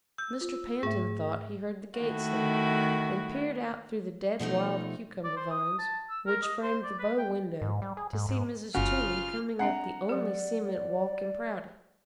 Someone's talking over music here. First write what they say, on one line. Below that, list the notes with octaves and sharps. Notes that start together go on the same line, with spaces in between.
Mr. Pantin thought he heard the gate slam and peered out through the dead wild-cucumber vines which framed the bow window to see Mrs. Toomey coming up the only cement walk in Prouty.
E6 G6
F4
G#2 A3 G#4 E5
D#3 A3 E4 F#4
B2 F3 A3 D#4
D5
C5
D#6
A5
E6
A#4
D#5
C5
D5
B4
G5
G#2
G3
G#4
G#2
G#2
G1 C#3 F4 F#4 F6
C4 D4 E5 F#5 A#5
F#3 G4 D5
D5